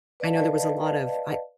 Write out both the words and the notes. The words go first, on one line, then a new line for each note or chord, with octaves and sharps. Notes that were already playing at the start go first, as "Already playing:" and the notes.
I know there was a lot of I
B4 D5 D#5 F5 A5